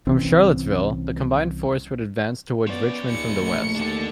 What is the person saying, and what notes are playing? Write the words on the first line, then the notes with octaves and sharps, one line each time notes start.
From Charlottesville, the combined force would advance towards Richmond from the west.
C2 E3 C4 C#4
F3 B3 C#4 D5
D#2 C#7
A#1 A3
D#2 D4 A4